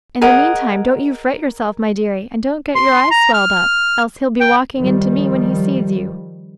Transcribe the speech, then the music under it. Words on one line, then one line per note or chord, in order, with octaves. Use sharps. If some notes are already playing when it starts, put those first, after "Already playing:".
In the meantime, don't you fret yourself, my dearie, and don't get your eyes swelled up, else he'll be walking into me when he sees you.
G#4 A#4 D#5 F#5
C6
A#5
F6
G5
D#3 F3 G3